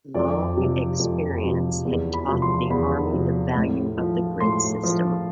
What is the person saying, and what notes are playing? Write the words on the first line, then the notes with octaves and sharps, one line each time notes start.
Long experience had taught the army the value of the grid system.
F2 D5
C3 F3
F2
C3 F3
E2
B5
C3 F3
C6
E2 B5
C3 F3
A2
F3
A2 C6
F3